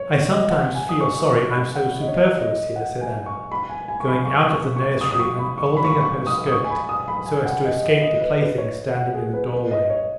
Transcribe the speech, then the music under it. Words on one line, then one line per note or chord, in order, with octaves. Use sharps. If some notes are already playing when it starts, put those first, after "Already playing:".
"I sometimes feel sorry I'm so superfluous here," said Anna, going out of the nursery and holding up her skirt so as to escape the plaything standing in the doorway.
Already playing: C#5
C#5
D#5
F#5
G#5
D#6
C#6
C#6
B5
F#5
D#5
C#5
D#5
D#5
F#5
G#5
C#6
B5
G#5
G#5
C#6
B5
C#6
C#6
C#6
D#6
D#6
C#6
B5
C#6
B5
C#6
B5
C#6
D#6
D#6
C#6
G#5
B5
D#6
B5
G#5
F#5
D#5
D#5
D#5
B4
B4
C#5
F#5
G#4
B4
B4
D#5
C#5